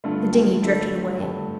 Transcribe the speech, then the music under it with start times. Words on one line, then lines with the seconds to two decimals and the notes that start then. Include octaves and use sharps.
The dinghy drifted away.
0.04 G2 D3 A3 F4
0.33 G4
0.62 G2 D3 A3 A4
1.21 G2 D3 A3 G4